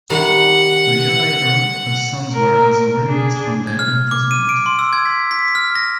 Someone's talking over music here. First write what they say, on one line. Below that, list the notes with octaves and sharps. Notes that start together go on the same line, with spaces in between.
A year later, her sons were also released from their imprisonment.
C3 D#3 G3 F#5
A#4
D4 G#4
G#6
F6
D6
D#7
D7
C6
E6
G#6
B6
B6
F6
A#6